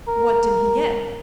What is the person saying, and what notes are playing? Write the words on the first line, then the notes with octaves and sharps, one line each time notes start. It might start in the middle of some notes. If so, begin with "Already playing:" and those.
"What did he get?"
A#4